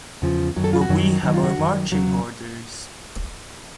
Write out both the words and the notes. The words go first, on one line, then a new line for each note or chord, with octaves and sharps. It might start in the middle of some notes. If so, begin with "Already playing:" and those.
But we have our marching orders.
E2 C#3 F3
F#2 D#3 F#3
A4
F4
F#4
F#2 D#3 F#3
F#2 D#3 F#3 F#4
F4
F#4
F#2 D#3 F#3
E2 C#3 F#3